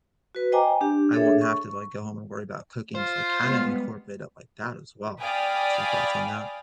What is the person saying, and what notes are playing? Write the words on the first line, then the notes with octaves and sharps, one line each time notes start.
I won't have to, like, go home and worry about cooking, so I kinda incorporate up like that as well. What's your thoughts on that?
F#4 B4
C5 D#5 G5 G#5 A#5 D6
D4 G4
D4 G#4 A4 C#5 E5
C#6
F4 C5
G3 G#3 B3
D5 F5 G5 G#5 B5 D#6